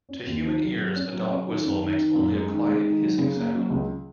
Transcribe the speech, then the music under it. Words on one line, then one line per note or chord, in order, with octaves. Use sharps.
To human ears, a dog whistle makes only a quiet hissing sound.
C#4
D#2
D#3
F#3
F#3
C#4
F#3
C#4
D#3
F#2
D#3
D#3
F#2
G#3
D#3
G#3
D#3
F#3
C#3
A#3
F#3
C#2